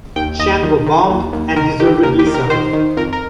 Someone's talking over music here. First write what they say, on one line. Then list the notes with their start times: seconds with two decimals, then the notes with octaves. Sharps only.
Shango bombed, and deservedly so.
0.16 D#2 G5
0.39 D#2 D#5
0.63 D#3
0.86 D#3
1.10 D#2
1.33 D#2
1.56 D#3 A#4
1.80 D#3 G4
2.03 D#2 A#4
2.19 G4
2.27 D#3
2.34 A#4
2.50 D#3 C5
2.73 D#3
2.97 F2 A#4
3.13 A#4